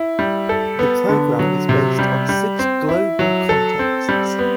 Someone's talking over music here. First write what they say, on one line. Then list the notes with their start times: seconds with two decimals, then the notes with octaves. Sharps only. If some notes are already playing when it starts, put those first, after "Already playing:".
The program is based on six Global contexts.
Already playing: E4
0.19 G3
0.49 A4
0.79 B3
1.09 D3
1.39 F#3
1.69 C3
1.99 G3
2.29 G3
2.59 C4
2.89 E4
3.19 F#3
3.49 A4
3.79 C4
4.09 G3
4.39 B3